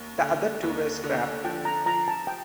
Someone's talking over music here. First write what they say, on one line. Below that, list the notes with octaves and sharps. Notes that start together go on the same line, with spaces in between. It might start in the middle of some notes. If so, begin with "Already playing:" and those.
The other two were scrapped.
Already playing: D#2
D3
D#2
D3
F3 G5
A#5
F3 A#5
A5
G5